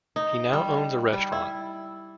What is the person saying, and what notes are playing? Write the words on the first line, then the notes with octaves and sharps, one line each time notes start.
He now owns a restaurant.
D#4
G3
G3
E4